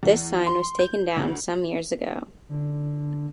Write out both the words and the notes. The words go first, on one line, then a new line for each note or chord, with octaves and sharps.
This sign was taken down some years ago.
E2
C6
G6
D2
D3